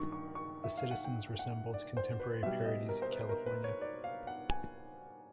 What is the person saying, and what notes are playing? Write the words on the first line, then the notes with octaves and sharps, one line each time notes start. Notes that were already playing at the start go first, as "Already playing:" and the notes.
The citizens resembled contemporary parodies of California.
Already playing: G2 D#3 F#3 C#6
C#6
C#6
E5
F5
F#5
G5
F#5
D5
C5
B4
B2 G3 E5
D#5
A#4
C5
B4
A#4
B4
C#5
D5
F5
F#5
G#5